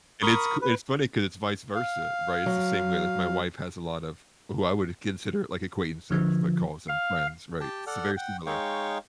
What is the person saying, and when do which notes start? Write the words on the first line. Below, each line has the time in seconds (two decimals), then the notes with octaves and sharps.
And it's c it's funny 'cause it's vice versa, right? It's the same way, like, my wife has a lot of who I would consider, like, acquaintances, but calls them friends, right? It's very similar.
0.23 A#4 B5 C#6 D#6
0.62 B4
1.75 F5
2.46 F#3
6.11 D3 F3
6.89 F5
7.61 G4 G5 A5
7.87 A4 D5 F#5 F6
8.17 F#5 G5
8.47 G#3 D#4 C#5 F5 G5 C#6